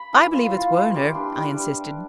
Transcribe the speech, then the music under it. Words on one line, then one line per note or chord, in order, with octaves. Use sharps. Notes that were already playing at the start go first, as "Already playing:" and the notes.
"I believe it's Werner," I insisted.
Already playing: B5
E3
F4 C6
F4
E3 C6
G3 D6
D4 C6
G3 D6